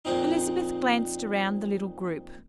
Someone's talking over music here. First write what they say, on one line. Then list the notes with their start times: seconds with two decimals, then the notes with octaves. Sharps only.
Elizabeth glanced around the little group.
0.05 F2 A#2 C4 D#4